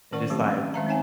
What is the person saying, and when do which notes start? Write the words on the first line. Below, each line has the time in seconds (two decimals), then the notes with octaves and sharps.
and just, like,
0.12 D#3 C#4 A#4 D5 F#5 C#6
0.30 F3 F#3 A3 C4 E4 G4
0.47 C#4
0.74 D#3 G#3 E5 F5 A5 A#5
0.87 C4 D#4 C#5 E5 G5 G#5